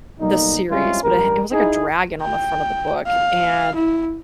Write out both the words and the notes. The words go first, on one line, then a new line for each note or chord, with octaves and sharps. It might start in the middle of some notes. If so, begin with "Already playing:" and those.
the series, but, eh, it was, like, a dragon on the front of the book and
B1 G3 A#3 D#4
G3 G#3 C4 C#4 E4 F4
A1 G2 G3 A#4
D#4 E4 G#4
G5
F5
E4